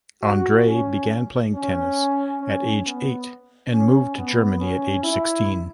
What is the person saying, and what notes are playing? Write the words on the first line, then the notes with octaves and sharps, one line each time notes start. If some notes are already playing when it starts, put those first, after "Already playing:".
Andrei began playing tennis at age eight, and moved to Germany at age sixteen.
F#4
C#4
C#4
C#4
B3
C#4
B3
C#4
E4